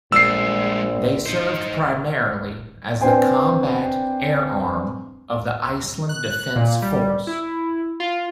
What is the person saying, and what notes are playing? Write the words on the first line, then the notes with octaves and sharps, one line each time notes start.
They served primarily as the combat air arm of the Iceland Defense Force.
A#1 G#3 A3 E6 C7
D#4 C5
C4 D4 B4 C5 G5 G#5
F#6
A#2
G3
E4
F4